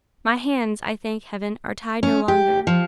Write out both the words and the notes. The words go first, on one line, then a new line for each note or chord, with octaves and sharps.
My hands, I thank Heaven, are tied no longer.
C#4
G4
F3